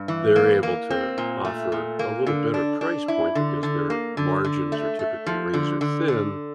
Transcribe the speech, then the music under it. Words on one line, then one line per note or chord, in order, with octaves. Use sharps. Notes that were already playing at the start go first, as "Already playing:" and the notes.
they're able to offer a little better price point because their margins are typically razor thin,
Already playing: G2
E3
A#3
A#3
C4
A#2
A3
A#2
A#3
D3
D4
D4
E4
D3
D3
A#3
D3
D3
A3
A3
F3
D3
D3
D3